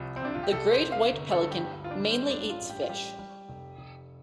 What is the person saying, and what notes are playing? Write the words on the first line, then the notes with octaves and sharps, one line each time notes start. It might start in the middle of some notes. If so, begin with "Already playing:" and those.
The great white pelican mainly eats fish.
Already playing: C2 F3
C4
C3 D4
F4
G4
C2 A4
C5
C3
F5
G1
A4
G2
G4
D2
F4
D4
G3
C4
G2 D4
F4
A1
G4
F4
G3 G4
G3
F1
F1